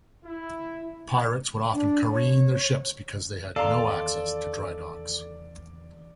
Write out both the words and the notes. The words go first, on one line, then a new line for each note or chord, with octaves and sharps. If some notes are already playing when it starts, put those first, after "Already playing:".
Pirates would often careen their ships because they had no access to drydocks.
E4
D4
C#5
E2 D#3 A4 D5 F5 A#5 C6